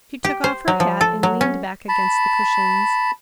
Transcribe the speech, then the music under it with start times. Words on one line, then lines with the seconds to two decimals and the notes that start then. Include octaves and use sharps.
She took off her hat and leaned back against the cushions.
0.24 G4
0.44 C5
0.68 F#3
0.80 F3
1.01 A4
1.23 F#3
1.41 C#4
1.89 A5 B5